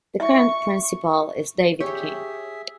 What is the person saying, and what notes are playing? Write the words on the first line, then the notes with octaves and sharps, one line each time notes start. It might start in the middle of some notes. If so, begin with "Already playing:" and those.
The current principal is David King.
E5 C#6
G4 G#4 C#5 E5